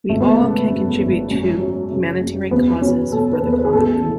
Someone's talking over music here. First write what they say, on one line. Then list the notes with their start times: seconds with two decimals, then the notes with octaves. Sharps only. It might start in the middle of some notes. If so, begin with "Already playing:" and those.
We all can contribute to humanitarian causes for the common good.
0.09 G#1 A3
0.21 B3
0.31 A3
0.40 C#3
0.70 F#2
1.00 G#1
1.31 F#2
1.61 F#3
1.91 C#3
2.21 F#2
2.51 E2 B3
2.71 B3
2.82 F#3 C#4
3.12 B2 A4
3.33 B4
3.43 E2
3.53 B4
3.65 G#4
3.72 A1 A4
4.03 E3